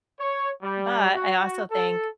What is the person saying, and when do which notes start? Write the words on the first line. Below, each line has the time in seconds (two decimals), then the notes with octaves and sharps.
but, I also think
0.20 C#5
0.63 G3
1.15 F#4
1.71 A4